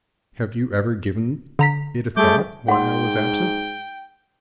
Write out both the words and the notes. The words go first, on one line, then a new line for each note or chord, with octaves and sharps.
"Have you ever given it a thought, why I was absent?"
D3 A#5 B6
G3 A3 G#4 D6 G6
G#2 F#5 G5 C6